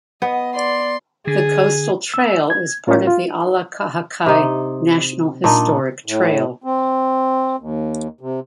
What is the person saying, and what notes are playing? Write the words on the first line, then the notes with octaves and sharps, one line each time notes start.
The coastal trail is part of the Ala Kahakai National Historic Trail.
B3 D#5
D5 C6
D3 G#4
E6
G#6
A2 C#4 F4 A#4 C#5
F4
C3 D#4
A#2 D4 D#4
A2
C4
D#2
C3